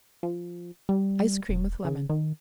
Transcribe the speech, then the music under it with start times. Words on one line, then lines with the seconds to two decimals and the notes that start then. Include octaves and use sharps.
Ice Cream with Lemon.
0.23 F3
0.89 G3
1.49 E1
1.85 C#3
2.10 D#3